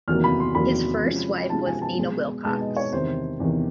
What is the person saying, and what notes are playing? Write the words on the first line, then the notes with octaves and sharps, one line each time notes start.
His first wife was Nina Wilcox.
E2 C3 D#3 F#3 A#3 F6
B5
C6
E2 C3 D#3 F#3 A#3 B5
C3 F3 G#3 C#4
C3 F3 G#3 C#4 A5
G#5
A5
B2 G#3 B3
B2 G#3 B3 A5
D#5
C#5
E2 C3 D#3 C5
E2 C3 D#3